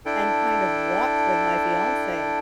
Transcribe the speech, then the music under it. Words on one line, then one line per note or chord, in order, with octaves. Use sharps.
and kind of watch with my fiance
D4 E4 A4 G5